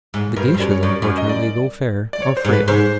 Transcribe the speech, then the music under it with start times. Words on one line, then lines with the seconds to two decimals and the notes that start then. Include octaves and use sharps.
The geishas unfortunately, though fair, are frail.
0.14 G#2
0.36 G2 A#4
0.48 C5
0.54 G2
0.60 F#2 D5
0.71 C#5
0.83 F#2 D5
1.02 F#2
1.18 D#5
1.29 D5
2.13 D5
2.22 C#5
2.37 C5
2.45 G#2
2.53 B4
2.68 G#2 C5